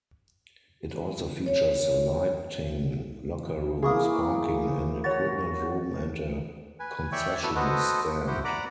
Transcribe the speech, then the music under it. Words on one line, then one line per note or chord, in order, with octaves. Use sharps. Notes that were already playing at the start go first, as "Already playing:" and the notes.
It also features lighting, locker rooms, parking, an equipment room and a concession stand.
C#5
E3 A#3 G#4 C#6 D#6
F#4 C#5 A6
B4 G#5
C#5 D5 E5 G5 C#6
B3 E4 F#4 A4
B3 F#4 A4 B4 C5 D#5
E4 F#4 G4 C5 G5
D5 F#5 A#5 B5 D6